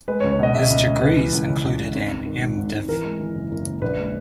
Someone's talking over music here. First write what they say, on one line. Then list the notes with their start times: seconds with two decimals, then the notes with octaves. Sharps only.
His degrees included an M. Div.
0.08 G#3 B4
0.20 C#5
0.24 C#2
0.32 C#5
0.39 B2 D#5
0.55 C#2 E5
0.70 C#2
0.86 C#2
1.01 C#2 B4
1.17 E3
1.33 C#2
1.48 C#3
1.64 C#2
1.79 C#2
1.95 G#1
2.11 G#1
2.26 D#3
2.42 G#2
2.57 G#2
2.73 G#2
2.88 E3 A#4
3.04 G#3
3.20 E3
3.35 F#1
3.51 F#1
3.66 F#1
3.81 A#1 B4
3.97 G#3